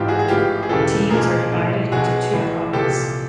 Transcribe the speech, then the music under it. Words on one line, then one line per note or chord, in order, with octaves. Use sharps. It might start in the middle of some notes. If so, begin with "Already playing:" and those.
Teams are divided into two pots.
Already playing: A1 G#2 E3 F4 G4
F#4 G#4
G#4
A1 A2 F3 F4 G4
G#4
E1 E2 C#3 E3 G4 A4
B1 A#2 F3 G#4 A#4
B1 A2 F3
B1 B2 F#4 G#4
A1 A2 E3
C2 A#2 F3 G4 A4